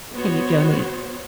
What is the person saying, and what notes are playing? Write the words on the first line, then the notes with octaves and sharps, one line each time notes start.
"Can you donate"
B3 F#4 C5 C#5